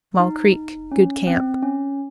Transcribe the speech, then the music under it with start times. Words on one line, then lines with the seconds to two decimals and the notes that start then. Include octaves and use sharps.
Small Creek.--Good camp.
0.19 D#4
0.92 C#4
1.27 C4
1.62 C#4